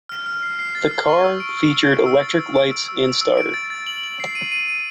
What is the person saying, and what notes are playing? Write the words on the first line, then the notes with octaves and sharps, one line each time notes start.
The car featured electric lights and starter.
F6
F6
C7
C7
A6
F6
C#6
E6
D7
E6
E6
D7
E6
A6
E6
D7
E6
E6
E6
E6
D7
A6
A6
F#7
F#7
C7
D#7
D#7
D#7